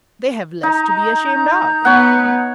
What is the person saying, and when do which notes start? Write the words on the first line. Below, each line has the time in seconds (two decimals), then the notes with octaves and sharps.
They have less to be ashamed of.
0.63 D#4 A#5 D#6 G6
1.85 B3 C#5 F#5